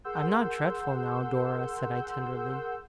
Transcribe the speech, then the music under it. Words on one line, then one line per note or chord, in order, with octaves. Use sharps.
'I am not dreadful now, Dora?' said I, tenderly.
G#4 A#4 F#5 C6 E6 G6